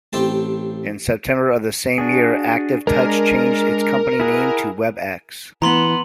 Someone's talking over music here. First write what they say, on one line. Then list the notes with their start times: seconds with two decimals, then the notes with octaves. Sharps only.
In September of the same year, ActiveTouch changed its company name to WebEx.
0.13 A1 C4 G4 A5
1.98 D4 F#4 G#4
2.87 G#3 D4 A#4
4.20 E4 G#4 F#5
5.62 E3 B3 A#5 C6 F#7